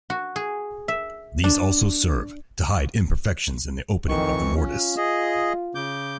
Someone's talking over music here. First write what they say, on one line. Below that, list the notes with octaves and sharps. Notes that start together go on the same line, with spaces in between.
These also serve to hide imperfections in the opening of the mortise.
F#4
G#4
E5
D4
F2 D#3 E3 C#6
C#4 F4
G#4 D#5
C#3 D6 G6